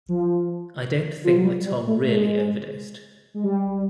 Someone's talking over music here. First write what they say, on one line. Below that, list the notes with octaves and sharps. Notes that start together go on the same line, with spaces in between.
I don't think that Tom really overdosed.
F3
F3
F#3
G3
G3
A3
A3
G#3
G#3
G3